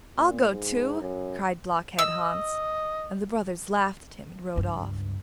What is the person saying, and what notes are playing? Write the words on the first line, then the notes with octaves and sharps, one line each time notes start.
I'll go to!' cried Blockhead-Hans; and the brothers laughed at him and rode off.
A#2
G#2
F#2
D#5 E6
C#2 G2